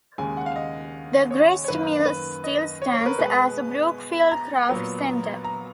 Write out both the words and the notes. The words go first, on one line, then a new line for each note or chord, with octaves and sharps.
The grist mill still stands, as the Brookfield Craft Center.
D#2 C#3 G#3 G#5
F#5
F5
D#5
C#5
C#5
F#2 D#3 A#3 B4
B4
D#5
C#5
C#5
A#4
B4
B2 G#3 B3 B4
A#5
A#2 F#3 B3
A#5